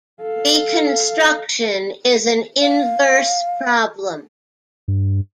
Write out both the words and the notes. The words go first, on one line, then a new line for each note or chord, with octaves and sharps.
"Reconstruction" is an inverse problem.
A4 F5
F5
G2